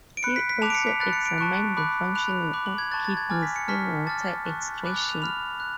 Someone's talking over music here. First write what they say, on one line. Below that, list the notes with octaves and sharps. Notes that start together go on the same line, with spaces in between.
He also examined the functioning of kidneys in water excretion.
D7
B5 F#6 C#7
B6
B6
A5 D6 F#6 F7
D7
C#7
B6
B5 F#6 A6
C#7
D7
A5 C#6 F#6
B5 D6 F#6
B5 F#6 F7
B5 D6 F#6
F#7
G#6
A5 C#6 F#6 A6
A6
G#6
G#5 D6 F6 A6
B6
C#7
A5 C#6 F6 B6
A5 D6 F6 A6
A5 C#6 F#6
B5 D6 F#6
F7
F7
B5 F6 F7
F#6